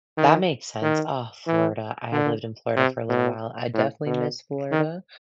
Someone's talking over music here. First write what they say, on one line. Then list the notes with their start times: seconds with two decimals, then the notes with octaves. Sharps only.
That makes sense. Ah, Florida, I lived in Florida for a little while. I definitely miss Florida.
0.17 D#3
0.82 D#3
1.47 E3
2.12 D3
2.77 C3
3.09 B2
3.74 A2
4.06 B2
4.71 D#3